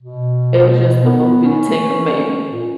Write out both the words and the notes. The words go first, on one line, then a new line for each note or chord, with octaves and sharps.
It was just the movie, The Ten Commandm
B2
B3
C#4
A#2